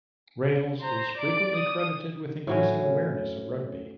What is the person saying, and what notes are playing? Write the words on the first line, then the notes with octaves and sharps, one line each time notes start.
Rails is frequently credited with increasing awareness of Ruby.
C5 A#5
D5 D7
D#6
A2 F#3 C#4